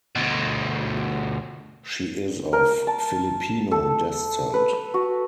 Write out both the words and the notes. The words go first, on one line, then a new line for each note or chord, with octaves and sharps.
She is of Filipino descent.
D2 B2
A#4
A5
A4
B4
F#4